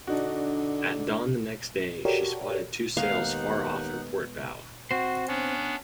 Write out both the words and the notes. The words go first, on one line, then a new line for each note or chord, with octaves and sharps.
At dawn the next day, she spotted two sails far off her port bow.
D3 D4 D#4 F#4
F#4 G4 A4 A#4 C#5 D5
D#2 G#3 A3 B3 D#4 F5 F#5
C4 F#4 C5
B3 C#4 D4